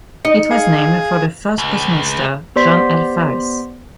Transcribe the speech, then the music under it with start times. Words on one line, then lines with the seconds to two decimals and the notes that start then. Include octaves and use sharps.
It was named for the first postmaster, John L. Farris.
0.25 D#4 D#5 C#7
0.51 G#4 F5
1.58 C#2
2.56 B3 G4 C5 D5 C6 B6